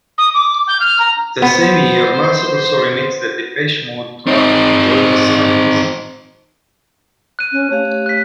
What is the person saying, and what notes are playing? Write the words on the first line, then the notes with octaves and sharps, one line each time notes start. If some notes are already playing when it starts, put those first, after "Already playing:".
The same year, Maas also remixed the Depeche Mode track "Enjoy the Silence".
D#6
D6
G6
F6
A#5
B3 C5
C4 D#4
F#6 D#7
C#4
A3 G4 C#5 F5
F#6 B6